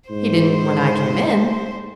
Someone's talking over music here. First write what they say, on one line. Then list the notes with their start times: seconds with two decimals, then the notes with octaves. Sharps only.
"He didn't when I came in."
0.10 G#2 C5